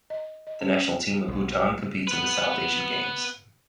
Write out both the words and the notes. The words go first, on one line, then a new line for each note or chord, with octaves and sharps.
The national team of Bhutan competes in the South Asian Games.
D#5
D#5
C#4
B1 F#3
B3 B4